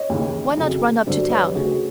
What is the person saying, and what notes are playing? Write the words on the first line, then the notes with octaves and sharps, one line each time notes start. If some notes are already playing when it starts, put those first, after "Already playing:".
Why not run up to town?
Already playing: C#5 D#5
D#2 C#3 E3
F2 C#3 F#3
G2 D3 F#3 C5 D5
B4 C#5
G4
D2 C#3 F#3 F#4 G#4